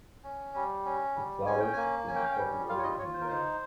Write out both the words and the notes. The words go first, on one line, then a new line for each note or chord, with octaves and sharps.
It flowers between February and May.
C#4
G3
C#4
G3
C#4 G#5
G5
A#3 G#5
C#4 G#5
G5
F5
G5
G3
F4 F5
C#5
D#5
F4 C#5
C5
A#4
D#4 C5